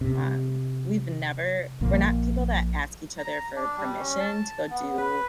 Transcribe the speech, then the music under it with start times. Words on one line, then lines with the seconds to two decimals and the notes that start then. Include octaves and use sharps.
um, we've never we're not people that ask each other for permission to go do
0.01 C3
1.81 A#1 A#2 F3 A#3
3.18 A#5
3.56 D4
3.78 G3
3.99 C#4
4.20 A5
4.70 B3
4.98 B4